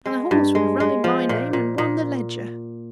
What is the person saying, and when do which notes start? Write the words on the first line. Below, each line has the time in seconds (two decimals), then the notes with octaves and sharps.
And the horse would have run in my name and won the Leger!
0.06 G#3
0.31 G2
0.55 G#3
0.80 G#3
1.04 F3
1.29 A#2
1.53 A#2
1.78 A#2